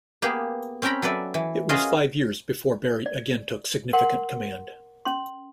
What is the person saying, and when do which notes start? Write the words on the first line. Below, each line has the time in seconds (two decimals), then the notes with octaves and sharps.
It was five years before Berry again took significant command.
0.22 A#3 B3 G4 G#4
0.82 C4 C#4 C#5 G5 A#5 B5
1.02 F#3 A4 B4 D5 E5
1.34 E3
1.69 C#4 F4 F#4 G#4 A#4 D#5
3.06 D5
3.93 A#4 F#5 C6
5.05 C#4 C6